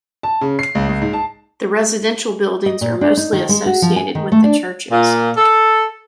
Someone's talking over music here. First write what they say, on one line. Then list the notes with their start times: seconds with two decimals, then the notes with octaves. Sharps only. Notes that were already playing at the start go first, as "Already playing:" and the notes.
The residential buildings are mostly associated with the churches.
0.23 A5
0.41 C#3
0.59 C7
0.75 C#2
0.89 C#2
1.02 G#2
1.13 A5
2.66 D#5
2.81 A#2
3.01 D4
3.17 D#4
3.33 D#3
3.49 G#3
3.66 F#4
3.82 F3
3.96 G#5
4.15 D#3
4.32 A3
4.44 D4
4.91 A#2
5.36 A4